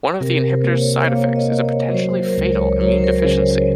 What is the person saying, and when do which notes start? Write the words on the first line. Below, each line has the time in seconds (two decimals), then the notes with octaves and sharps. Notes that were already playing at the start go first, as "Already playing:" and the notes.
One of the inhibitor's side effects is a potentially fatal immune deficiency.
0.21 C3 A#4
0.50 C5
0.64 A#3
0.78 C#5
1.07 A#3 C#5
1.36 D#5
1.51 A#3
1.65 C#5
1.95 F#3 C5
2.23 A#4
2.38 C#2
2.53 C#5
2.81 F#3 C#5
2.92 C5
3.04 A#4
3.16 C5
3.24 C#3